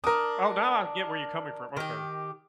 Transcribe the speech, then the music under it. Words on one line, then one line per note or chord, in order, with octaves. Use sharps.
Oh, now I get where you're coming from, okay.
D4 A#4 D#6
D#3 G4